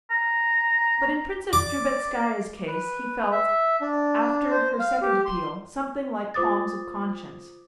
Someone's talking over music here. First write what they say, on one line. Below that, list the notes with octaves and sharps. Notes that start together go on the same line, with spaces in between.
But in Princess Drubetskaya's case he felt, after her second appeal, something like qualms of conscience.
A#5
D5 D6
B4
E5
D4
C5
F5
G4
C6
F4 C5 D6 D#6 A6